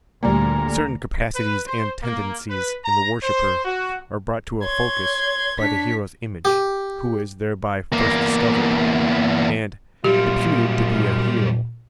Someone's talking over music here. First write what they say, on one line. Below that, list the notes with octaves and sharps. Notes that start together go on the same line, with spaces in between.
Certain capacities and tendencies in the worshipper are brought to a focus by the hero's image, who is thereby first discovered and deputed to be a hero.
D2 A#2 G3 A#5
B4
C5
A#3
B4
A#5
C5
F#4
C#5 C6 G#6
D4 C#5 B6
G4
E2 A#3
C2 F#2 A#2 F#3 G3 F4 G4